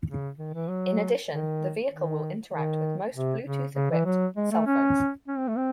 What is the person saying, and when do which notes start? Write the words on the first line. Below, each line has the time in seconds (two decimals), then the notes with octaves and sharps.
In addition, the vehicle will interact with most Bluetooth-equipped cell phones.
0.08 C#3
0.39 D#3
0.54 E3
0.69 F#3
1.30 D#3
1.91 D#3
2.53 D#3
3.15 C3
3.45 C#3
3.76 C#3
3.91 E3
4.06 F#3
4.37 G#3
4.51 A3
4.67 C#4
5.28 C#4
5.38 C4
5.48 A3
5.57 C4